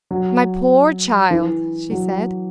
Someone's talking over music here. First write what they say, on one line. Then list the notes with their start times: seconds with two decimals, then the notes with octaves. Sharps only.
"My poor child!" she said.
0.11 F#3
1.31 E3
1.91 F#3